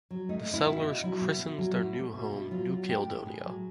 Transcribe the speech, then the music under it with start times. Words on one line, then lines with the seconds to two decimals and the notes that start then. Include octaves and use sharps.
The settlers christened their new home "New Caledonia".
0.11 F#3
0.29 A3 D#4
0.48 A3
0.54 E4
0.66 B2
0.78 D#4
0.84 B2
1.03 F#3 E4
1.21 B2
1.40 B2
1.58 F#3
1.76 B2
1.96 A3
2.14 B2
2.33 B2
2.51 F#3 F4
2.69 F#3
2.88 A2 G4
3.07 A2
3.26 A2 G#4
3.44 F#3